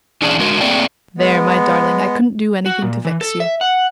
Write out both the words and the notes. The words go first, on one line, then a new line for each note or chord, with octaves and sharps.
There, my darling, I couldn't do anything to vex you.
E2 C#4 D4 G#4
D3 G#3 F#4 A#4
A3 A#3 C4 G#4 D5 G5
G#3 B3
F#4
A#2
E3
A4
E5
F#5